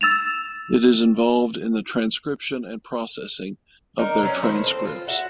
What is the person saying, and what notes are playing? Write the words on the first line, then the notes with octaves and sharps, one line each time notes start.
It is involved in the transcription and processing of their transcripts.
E6 A6 E7 F7
D4 D#4 A#4
F#3 C4 C#4
D#3 A3 E4 C5
C4 A4 C5
F4
F#4 E5 F#5